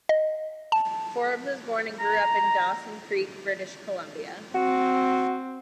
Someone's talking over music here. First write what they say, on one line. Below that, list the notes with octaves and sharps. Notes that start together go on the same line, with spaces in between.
Forbes was born and grew up in Dawson Creek, British Columbia.
D#5
A5
A#5
C4 F#4